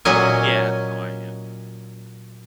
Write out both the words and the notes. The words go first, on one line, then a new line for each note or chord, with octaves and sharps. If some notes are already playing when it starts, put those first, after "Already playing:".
Yeah, that's how I am.
A#2 F#3 C#4 D#5 G#5